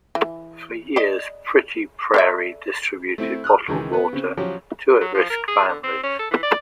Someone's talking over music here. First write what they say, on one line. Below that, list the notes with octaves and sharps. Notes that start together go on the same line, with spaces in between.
For years, Pretty Prairie distributed bottled water to at-risk families.
E3
D5 D#5
A4 D5 E5
A3 C4 E4
D#6 F6 F#6
C#2 D#3 E3 G#3
B3 B4
C#3 C4
F3 F#3 C#4 G4
F#3
F3
A#4
G#4
D3
C4
C#4
A4
E3
D5